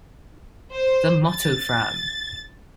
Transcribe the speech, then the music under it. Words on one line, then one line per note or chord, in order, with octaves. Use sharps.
The motto Fram!
C5
A6